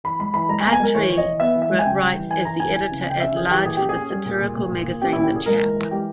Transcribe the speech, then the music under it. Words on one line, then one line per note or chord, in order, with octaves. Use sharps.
Attree writes as the editor at large for the satirical magazine "The Chap".
E3 B5
G#3 B5
E3 B5
G#3 A#5
G#5
B3 A#5
G#5
G#3 A#4
E3 C#5
E3 C#5
D#5
E3
B3 E5
E3
E5
G#3
G#5
C#3 G5
G3
E3
E3 G#5
E3 A#5
E3 G#5
E3 G#5
C#3
G#5
C#3 G5
C#4 E5
E3 G#4
E3 G4
A#2 G#4
C#4 G4
G#4
C#4
G3 G#4
A#2
A#2
A#2
A#2
A#2
C#4 G4
A#2 E4
G4
A#2 G#4
G#3 A#4
E3
E3
G#3 G4